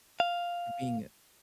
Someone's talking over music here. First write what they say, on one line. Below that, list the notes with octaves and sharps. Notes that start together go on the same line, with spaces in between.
you're being
F5